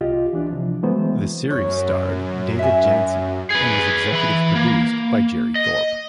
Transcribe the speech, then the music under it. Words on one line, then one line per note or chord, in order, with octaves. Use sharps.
The series starred David Janssen and was executive produced by Jerry Thorpe.
C2 F4 G4 D#5
E3 D4
C3 F3
E3 F#3 G#3 A3 B3 C5
F#2 C#5
E5 G#5
G#4 B4
E3 B5
A#3
D#5